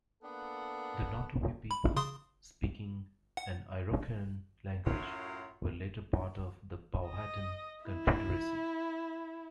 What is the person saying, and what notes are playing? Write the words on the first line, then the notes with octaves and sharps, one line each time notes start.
The Nottoway people, speaking an Iroquoian language, were later part of the Powhatan Confederacy.
A#3 B3 D4 A4 F#5
B5
C#3 C6 D#6
F#5
F#2 A2 F#3 F4 A#4
D#5
E4